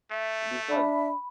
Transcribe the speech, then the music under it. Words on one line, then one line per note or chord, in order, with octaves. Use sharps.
Be fun.
A3 E5
D4 E5 B5